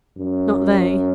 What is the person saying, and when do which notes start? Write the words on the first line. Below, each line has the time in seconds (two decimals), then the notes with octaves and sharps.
Not they!
0.18 F#2